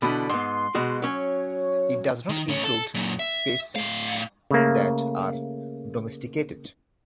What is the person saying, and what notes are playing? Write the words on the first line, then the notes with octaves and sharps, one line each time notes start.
It does not include species that are domesticated.
B2 D3 E3 B5
G#2 B3 C6
B2 G#3 F#4
F#3 C#4 C#5
D#3
A2 C#4
A4
F#2 A#2
E5
A2 F5
C#3 A3 A#3